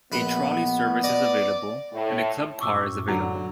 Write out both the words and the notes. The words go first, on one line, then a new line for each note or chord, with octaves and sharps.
A trolley service is available, and a club car is available.
A#1 B3 B4 B5
D5 D#5 D#6
A2
F#2 A2 C#6 D6 E6
D3 F#3